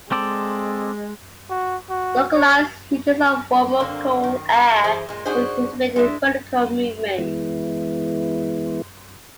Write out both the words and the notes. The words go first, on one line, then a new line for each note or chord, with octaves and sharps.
Localized regions of warm or cool air will exhibit vertical movement.
G#3 C4 A4 D5
F#4
F#4
C#5
D3 A#3 C4
D#3
E3 G#4 C5
A#2 G#3
D4 D#4 F#4 G#4 C5
G#3 D4 E4
E3 G#3 B3 E4